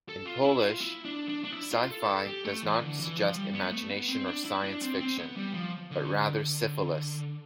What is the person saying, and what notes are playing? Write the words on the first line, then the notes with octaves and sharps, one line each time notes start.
In Polish, "Syfy" does not suggest imagination or science fiction, but rather syphilis.
A4
F4
E4
F4
E4
D4
D4
D4
E4
F4
A4
A4
G4
A3
E3
D3
E3
F3
G3
B3
A3
B3
C4
D4
E4
D4
C4
C4
B3
G3
F3
D3